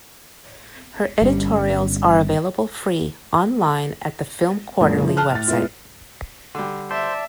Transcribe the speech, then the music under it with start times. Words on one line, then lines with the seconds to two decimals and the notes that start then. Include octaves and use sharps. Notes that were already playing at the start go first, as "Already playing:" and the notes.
Her editorials are available free online at the "Film Quarterly" website.
1.22 G1 G3 C#4
4.80 F#2 A#2 D3 G#3 A#3
5.02 E3 F3
5.17 A5 F6 F#6
5.32 A2 A6
5.47 G#3 B3 E4 F4
6.55 D3 G3
6.91 C5 D5 E5 A5